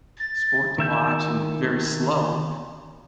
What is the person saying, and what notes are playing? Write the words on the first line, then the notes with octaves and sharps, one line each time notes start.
sport to watch and very slow.
A6
D#3 E5 G6